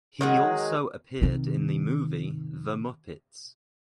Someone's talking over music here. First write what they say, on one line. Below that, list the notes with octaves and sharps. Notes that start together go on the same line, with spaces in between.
He also appeared in the movie "The Muppets".
D#3 F#3 G#3
C3 D#3